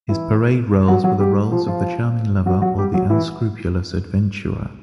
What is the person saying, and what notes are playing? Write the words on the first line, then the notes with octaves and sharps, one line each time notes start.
His parade roles were the roles of a charming lover or the unscrupulous adventurer.
E3 E4
F#3 F#4
F#3 F#4
G3 G4
F3 F4
F3 F4
F#3 F#4
F#3 F#4
G3 G4
F#3 F#4
E3 E4